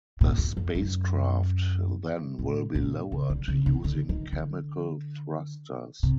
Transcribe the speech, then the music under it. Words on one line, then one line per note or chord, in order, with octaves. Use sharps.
The spacecraft then will be lowered using chemical thrusters.
A#2
E2
F2
F#2
A2
A#2
C#3
D3
C#3
C3
D3
D#3
D3
C3